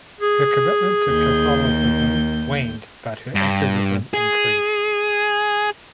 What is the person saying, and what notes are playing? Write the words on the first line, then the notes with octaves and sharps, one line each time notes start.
Her commitment to Catholicism waned but her activism increased.
G#4
D#2 G6
G2
G#4